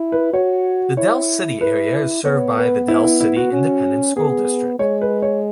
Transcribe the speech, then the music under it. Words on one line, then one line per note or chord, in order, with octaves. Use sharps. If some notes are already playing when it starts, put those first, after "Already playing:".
The Dell City area is served by the Dell City Independent School District.
Already playing: E4
B4
F#4 C#5
E4 C#5
E4 B4
B3 C#5
B4
E4
E4
E4
F#4
C#4
B3 G#4
G#3 C#5
B4
C#5